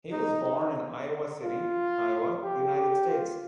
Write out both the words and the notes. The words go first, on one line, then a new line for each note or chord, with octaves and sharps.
He was born in Iowa City, Iowa, United States.
D#4
D#4
F4
G4
G4
F4